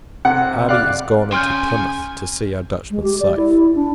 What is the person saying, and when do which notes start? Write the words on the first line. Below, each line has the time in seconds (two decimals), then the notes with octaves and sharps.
Hardy is gone into Plymouth, to see our Dutchman safe.
0.25 C3 F#5
0.69 D5 F5 F#6
1.32 C#3 G#5 C6 F6 G6
2.91 G#3
3.03 G4
3.20 D5
3.36 E4
3.75 D4